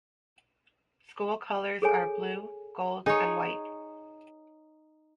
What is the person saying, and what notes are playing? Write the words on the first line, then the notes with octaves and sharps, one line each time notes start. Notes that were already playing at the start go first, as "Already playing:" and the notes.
School colors are blue, gold, and white.
G#4 A4 C#5 G#5
D#4 G#4 C#5